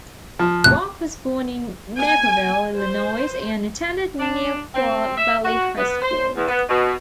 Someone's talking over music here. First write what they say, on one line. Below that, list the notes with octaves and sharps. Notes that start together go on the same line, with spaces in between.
Bock was born in Naperville, Illinois and attended Neuqua Valley High School.
F3
E1 A2 C3 F#6
G#5
C5
D4
C4
E5
F#4
B3
C5
E2
B3
B2